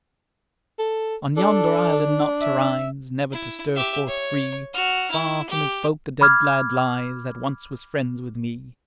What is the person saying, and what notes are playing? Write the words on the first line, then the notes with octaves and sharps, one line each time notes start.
On yonder island, not to rise, Never to stir forth free, Far from his folk a dead lad lies That once was friends with me.
A4
D4 A4
E5
E4
G4 E5
C#5
F#4 F6
E4
G4
B5 D6 F6 G#6